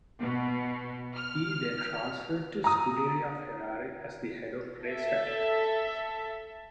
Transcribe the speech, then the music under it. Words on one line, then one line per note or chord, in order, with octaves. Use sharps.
He then transferred to Scuderia Ferrari as the Head of Race Strategy.
B2
F6
A#5 D#6
A4 E5